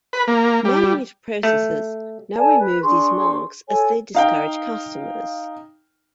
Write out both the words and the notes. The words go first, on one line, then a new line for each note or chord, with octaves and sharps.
Many meat processors now remove these marks as they discourage customers.
B4
A#3
G3
A3
A4 D5 G#5 A5
B4
D4 G#4 C6 C#6
A4 C#5 G#5
D#4 F5 G5